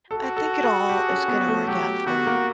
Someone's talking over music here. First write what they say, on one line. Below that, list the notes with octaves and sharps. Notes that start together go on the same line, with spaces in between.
I think it all is gonna work out for you.
F#4 A4
A4
G#4
G4
C#4
B3
A3
F#3 G4
B3 F#4
A#3